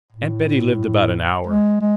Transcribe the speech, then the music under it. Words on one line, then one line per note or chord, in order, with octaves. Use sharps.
Aunt Betty lived about an hour.
A2
G#3
G#3